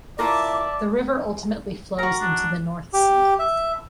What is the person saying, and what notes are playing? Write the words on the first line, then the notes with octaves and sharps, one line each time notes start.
The river ultimately flows into the North Sea.
E4 F4 A#4 D5 E5 A5 D6
F#4 A#4 A#5
D4
G4
E5